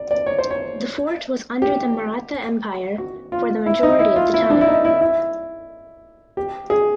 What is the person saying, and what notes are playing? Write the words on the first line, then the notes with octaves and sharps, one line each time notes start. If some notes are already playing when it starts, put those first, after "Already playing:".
The fort was under the Maratha empire for the majority of the time.
Already playing: D5
D5
C#5
C5
C#5
G4
F#4
F4
E4
D#4
E4
F4
E4
D4
E4
D#4
E4
E4
G4
G#4